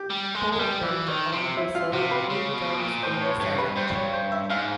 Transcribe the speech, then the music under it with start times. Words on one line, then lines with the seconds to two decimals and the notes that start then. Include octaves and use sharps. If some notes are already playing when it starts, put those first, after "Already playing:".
Gore went on to serve three terms in the Senate.
Already playing: G4
0.10 G3
0.34 G#3
0.52 G#3
0.59 G3
0.83 E3
1.08 D#3
1.32 C3
1.57 E4
1.75 F4
1.93 C3 F#4
2.11 B4
2.30 C#3
2.54 B2
2.79 A#2
3.03 A2 C5
3.21 C#5
3.40 G2 C#5
3.58 B4
3.76 G2 C5
3.95 C#5
4.13 C5
4.32 E5
4.50 G#2 F5